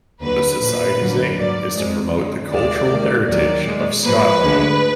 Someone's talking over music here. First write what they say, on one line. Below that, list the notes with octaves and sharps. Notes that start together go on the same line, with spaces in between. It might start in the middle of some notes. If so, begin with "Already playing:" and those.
The Society's aim is to promote the cultural heritage of Scotland.
D#2 D3 F#3 B4
A#2 F3 A#3 B4
F#2 D3 F#3 A#3
G#2 F#3 A#3 D5
F2 F3 G#3
F#2 D3 G#3
D#2 D#3 G#3 D5
G#2 D#3 A#3
D#2 D#3 F#3 A#3 D5
A#2 G#3
G#2 F3 A#3 B4
D2 D3 G#3